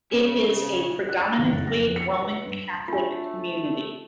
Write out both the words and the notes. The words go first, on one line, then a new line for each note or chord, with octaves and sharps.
It is a predominantly Roman Catholic Community.
C#3 C#4
F#6
A6
A1
F#1
A#6
F2
C#7
E6
B4
G2
A3 D4 F4